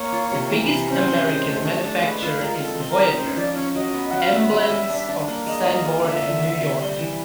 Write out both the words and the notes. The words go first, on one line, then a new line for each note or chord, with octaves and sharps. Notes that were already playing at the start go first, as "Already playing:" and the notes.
The biggest American manufacturer is Voyager Emblems of Sanborn, New York.
Already playing: A#3 C#5
F4
C3
E3
C3
C#4 C5
C3
G#3
A3
D4
A3
G#3 B4
F4 B4
G#3 A#4
C4 A4
C4
A#4
D#4
C#4 C5
F3 D5
C#4 C#5
F#3 D#5
B3
F#3 F#5
F5
B3 E5
G3
G3
D4
D4
A#3
G#3 D#5
F4
G#3
D3 E5
D3
D3
C3
G3
E3